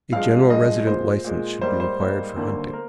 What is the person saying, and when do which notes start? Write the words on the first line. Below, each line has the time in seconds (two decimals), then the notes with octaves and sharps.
A general resident license should be required for hunting.
0.12 G2 F3 G#3 F5
0.50 G2 F3 G#3 D#5
0.87 A#2 G#3 C5
1.24 A#2 G#3
1.61 G#2 G3 A#3 C5
1.80 C5
2.00 G#2 G3 A#3
2.36 D#2 D3 G3 A#3
2.73 A#3 A#4